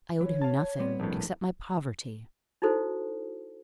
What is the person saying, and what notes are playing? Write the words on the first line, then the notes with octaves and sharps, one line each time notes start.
I owed him nothing, except my poverty.
E3 C#5
F5 A5
G3 B3 C4
A#1 A2
D#4 E4 F#4 A4 C5